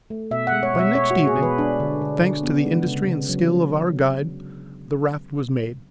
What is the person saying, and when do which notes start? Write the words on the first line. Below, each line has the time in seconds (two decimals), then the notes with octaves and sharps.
By next evening, thanks to the industry and skill of our guide, the raft was made.
0.10 A3
0.31 B2 E5
0.47 F#5
0.52 G#3
0.63 C#5
0.74 B2 E5
0.95 B3 C#5
1.11 F#4
1.16 G#3
1.27 G#4
1.37 B2
1.43 B4
1.58 G#3 D4
1.80 D3
2.02 D3
2.23 D3
2.43 B3
2.65 G#3
2.86 C#3
3.07 C#3
3.29 F#3